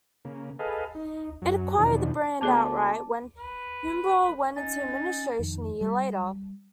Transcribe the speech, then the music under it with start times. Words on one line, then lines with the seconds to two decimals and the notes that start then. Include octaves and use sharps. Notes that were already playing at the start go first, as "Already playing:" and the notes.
It acquired the brand outright, when Humbrol went into administration a year later.
0.25 C#3 A#3
0.59 G#4 A4 B4 D#5 F5
0.95 D#4
1.42 F#2 F#3
1.78 E2 B2 D#3 F3 D4
2.41 D2 B3 G#4 D5 A5 D6
3.38 B4
4.55 C#4 D#4 A6
5.39 F2 D#3
5.81 G3